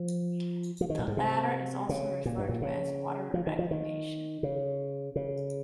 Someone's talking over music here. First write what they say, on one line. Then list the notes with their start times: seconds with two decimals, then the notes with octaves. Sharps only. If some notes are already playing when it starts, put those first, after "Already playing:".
The latter is also referred to as water reclamation.
Already playing: F3
0.81 F3
0.90 D#3
0.99 A#2
1.08 G#2
1.17 C3
1.89 C#3
2.25 A#2
2.38 G2
2.49 A#2
2.62 C#3
3.34 F3
3.47 D#3
3.59 F3
3.71 D#3
4.43 C#3
5.16 C#3